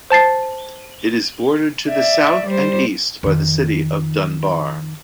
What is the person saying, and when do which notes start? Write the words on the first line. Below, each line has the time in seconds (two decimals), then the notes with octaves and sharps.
It is bordered to the south and east by the city of Dunbar.
0.10 C5 A5 A6 C7
1.88 D5 E5
2.47 G3 C5
3.23 F2 D#3